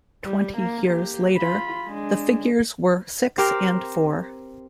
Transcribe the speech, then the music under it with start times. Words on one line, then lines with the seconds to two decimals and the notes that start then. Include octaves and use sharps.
Twenty years later the figures were six and four.
0.24 G3
0.57 A#3
0.86 A#3 G4
1.37 F4 B5
1.87 G#3 D4
3.38 C4 G4 A#4